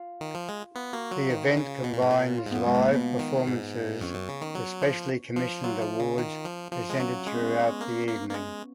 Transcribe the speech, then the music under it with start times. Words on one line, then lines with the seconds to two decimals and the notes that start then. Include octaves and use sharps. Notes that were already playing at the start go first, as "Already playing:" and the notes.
The event combines live performances with specially commissioned awards presented throughout the evening.
Already playing: F4
0.21 D#3
0.35 F3
0.49 G#3
0.75 B3 F4
0.93 A#3 F#4
1.11 F#3 F4
1.30 D#3
1.57 C#3
1.84 B2
1.93 A#2
2.02 G#2
2.11 A#2
2.38 F4
2.46 G#2
2.51 F#2 B3
2.65 G#3
2.75 G#2 A#3
2.92 B2 B3
3.19 D#3
3.47 G#2
4.01 F2 C#4
4.14 F#2
4.28 C#3
4.41 D#3
4.55 F#3
4.82 F3
5.36 F3
5.64 F#3 F4
5.82 F3
6.00 C#3
6.18 D#3
6.45 F3
6.72 F3 F4
6.90 G#3
6.99 F#3 C#4
7.26 G#3 C#4
7.34 B3
7.41 C#4
7.81 A#3
8.08 A#3
8.29 A#3
8.34 G#3